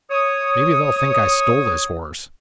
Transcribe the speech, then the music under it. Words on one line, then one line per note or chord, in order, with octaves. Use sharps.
'Maybe they'll think I stole this horse.
C#5 D#6